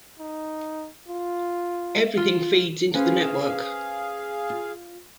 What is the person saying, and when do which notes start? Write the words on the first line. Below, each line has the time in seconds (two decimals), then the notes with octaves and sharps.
Everything feeds into the network.
0.19 D#4
1.08 F4
2.17 F4
2.94 C#4 G#4 B4 C5 F5
4.50 F4